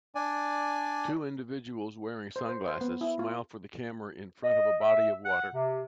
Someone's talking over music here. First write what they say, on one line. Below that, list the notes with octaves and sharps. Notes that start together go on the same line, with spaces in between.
Two individuals wearing sunglasses smile for the camera in front of a body of water.
D4 D5 G#5
C5
C5
C5
B3
E4
F4
D#5
E5
F#5
C3